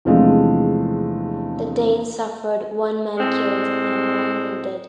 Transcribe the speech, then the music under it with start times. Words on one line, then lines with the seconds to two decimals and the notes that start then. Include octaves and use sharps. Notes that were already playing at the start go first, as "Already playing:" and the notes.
The Danes suffered one man killed and one wounded.
0.05 E2 C3 F3 G#3 A3 D4
3.18 A2 G#3 C4